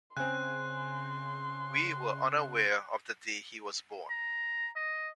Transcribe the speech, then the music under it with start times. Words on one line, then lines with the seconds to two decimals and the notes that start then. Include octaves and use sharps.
We were unaware of the day he was born.
0.17 C#3 C4 G#5 C6 F#6
4.10 A#5
4.75 D#5